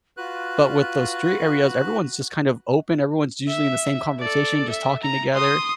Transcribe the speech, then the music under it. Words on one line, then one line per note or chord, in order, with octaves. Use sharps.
but with those street areas, everyone's just kind of open. Everyone's usually in the same conversation, just talking talking together.
F4 F#4 B4 F#6
E5
A4 D5
E5
A#5
C6 D#6